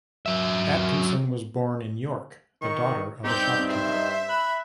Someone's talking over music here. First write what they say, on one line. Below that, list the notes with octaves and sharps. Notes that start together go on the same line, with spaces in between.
Atkinson was born in York, the daughter of a shopkeeper.
F#3 E5
D#3 C#6
G2 C4 D#4 G4 G6
C5 E5
B5 F#6